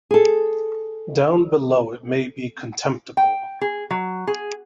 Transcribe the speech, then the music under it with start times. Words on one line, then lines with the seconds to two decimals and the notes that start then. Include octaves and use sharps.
Down below it may be contemptible.
0.11 G#4 A4
3.17 G5
3.61 G#4
3.91 F#3
4.27 G#4